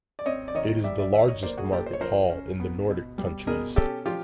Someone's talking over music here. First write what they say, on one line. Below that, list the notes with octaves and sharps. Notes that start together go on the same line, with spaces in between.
It is the largest market hall in the Nordic countries.
D5
C4 C#5 D#5
D5
D#3 C#5 D#5
G3 D5 E5
D5 E5
D#3 D5 E5
C#5 D#5
A#3 C5 D5
F#4 G#4
A#2 G4 A4
C5
C#5
F3 A#4 C5
C#4
B3
B2
G3
B2 G#4 A#4
C#4 G4 A4
F3 F4 G4